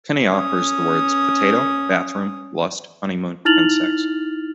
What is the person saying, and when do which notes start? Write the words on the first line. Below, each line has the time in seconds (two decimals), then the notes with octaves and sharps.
Penny offers the words potato, bathroom, lust, honeymoon, and sex.
0.27 C#4 D#6
3.45 D#4 E4 F6 A6 F7 F#7